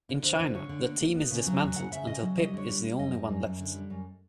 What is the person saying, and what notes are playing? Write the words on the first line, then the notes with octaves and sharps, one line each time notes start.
In China, the team is dismantled until Pip is the only one left.
D3
D3 C5
D3
D3 C#5
D3
A#3
A#3
B3
C#3
F#3
E2
C#3 F#5
C#3 E5
C#3 D#5
F#3
G3 D#5
D3 C#5
G3
G3
F#2 D#5
G3
F#2
F#2
D3
G3
F#2